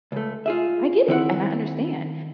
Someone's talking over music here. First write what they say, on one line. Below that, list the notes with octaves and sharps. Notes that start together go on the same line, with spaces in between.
I get it, and I understand.
C#2 A3
F4 G#4 E5
D#3 C4 E4 F#5